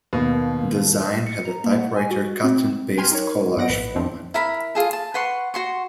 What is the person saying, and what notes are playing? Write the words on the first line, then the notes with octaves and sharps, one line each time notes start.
The zine had a typewriter cut and paste collage format.
D#2 B2
C#7
A#5
A#3
F#5
G#5
F#4
C4
B4 G5 G#5 C6 F6
D#4 A#4 C#5
G2 B3 F#5 A#6 D7
A#1 A2 B4
F2 F3 C4 D4
E4 A#4 B5
F4 G#4 A4
A5
B4 F#5 C6 C#6
F#4 C6 C#6